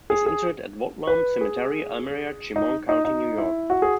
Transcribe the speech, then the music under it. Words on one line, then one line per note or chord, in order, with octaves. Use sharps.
He is interred at Woodlawn Cemetery, Elmira, Chemung County, New York.
G#4
G#4
B4
G#4
D#4
D#4
D#4
E4
F#4
G#4